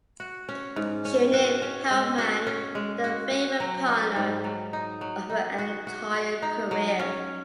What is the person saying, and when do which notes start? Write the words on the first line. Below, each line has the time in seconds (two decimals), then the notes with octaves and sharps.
She named Helpmann the favourite partner of her entire career.
0.20 F#4
0.49 C#4
0.76 G#2
1.05 C#4
1.33 F#4
1.62 C#4
1.91 G#3
2.18 F#4
2.47 C#4
2.75 G#3
3.04 F#4
3.31 F#4
3.60 F#3
3.88 D#4
4.16 G#2
4.44 F#3
4.73 D#4
5.01 F#3
5.30 D#4
5.59 F#4
5.87 F#4
6.14 F#4
6.42 D#4
6.71 F#3
6.99 C#4